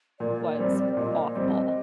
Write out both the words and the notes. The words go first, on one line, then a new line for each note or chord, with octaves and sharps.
was awful,"
A#2 D5
G3 C4
A#2 D#5
G3 C4